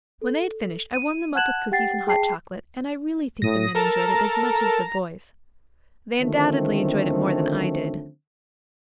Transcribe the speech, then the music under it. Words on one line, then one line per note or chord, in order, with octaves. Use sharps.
When they had finished, I warmed them up with cookies and hot chocolate, and I really think the men enjoyed it as much as the boys; they undoubtedly enjoyed it more than I did.
A4
D#7
F#5 A5 F#6 G#6 E7 F#7
G4 F#5 G5 A6 C7
G#4 G5 A5 C7
A2 D#6 A#6
A4 A#4 A5 A#5
D3 D#3 F3 A3 C4 C#4